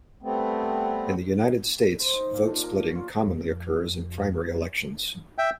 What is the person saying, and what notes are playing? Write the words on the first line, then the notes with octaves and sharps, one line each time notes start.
In the United States vote splitting commonly occurs in primary elections.
G3 A3 B3 C4
C5
D#4
A#2
D4
A#4
C#5
F4
F2
E5 G5